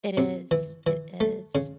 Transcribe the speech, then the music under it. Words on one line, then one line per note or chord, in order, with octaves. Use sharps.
It is, it is,
C3
E3
E3
A3
C#3